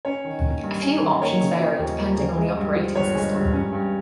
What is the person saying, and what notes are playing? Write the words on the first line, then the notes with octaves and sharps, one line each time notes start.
A few options vary depending on the operating system.
C#4 C#5
D#3
A#3
G2
C#4
D#3
A#3 C#5
C#3
F3
D#2
A#3
C#3
G#3
G2
F3
G1 C#5
G#3
G2
C#4
G2